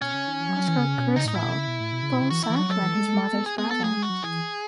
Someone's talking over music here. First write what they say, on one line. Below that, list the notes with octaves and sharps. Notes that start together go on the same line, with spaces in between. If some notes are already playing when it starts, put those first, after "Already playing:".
Oscar Creswell: Paul's uncle and his mother's brother.
B2 C#4
C#3
D#3
E3
F#3
F#3
E3
C#3
B2
C#3 D#4
A2
D#4
A2 E4
B2
C#3
B2
A2
B2
C#3
B2
C#3
E3 F#4
E4
E3
F#3 F#4
F#3 A4
E3
G#3
G#3
B3
G#4
B3 G#4
B3 A4
A3 G#4
G#3
F#4
F#3
E3 G#4